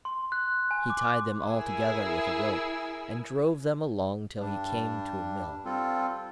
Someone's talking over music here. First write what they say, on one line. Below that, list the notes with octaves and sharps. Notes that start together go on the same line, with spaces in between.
He tied them all together with a rope, and drove them along till he came to a mill.
C6
F#6
G#5
D6
E4 G#4 A#4 G#5 E6
G2 G3 D4
G3 C4 F4 A4